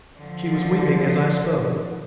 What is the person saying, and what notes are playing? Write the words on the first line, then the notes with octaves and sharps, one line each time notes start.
She was weeping as I spoke.
D3 F3